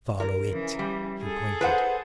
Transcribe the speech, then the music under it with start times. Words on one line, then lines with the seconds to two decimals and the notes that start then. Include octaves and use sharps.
"Follow it." He pointed.
0.20 A#4
0.49 C#3 E3
0.79 G3
1.22 G#4 A4
1.61 B4 C5 F#5